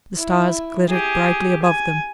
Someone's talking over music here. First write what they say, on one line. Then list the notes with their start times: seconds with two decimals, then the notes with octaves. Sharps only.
The stars glittered brightly above them.
0.17 E4
0.89 G4 G#4
1.63 G#5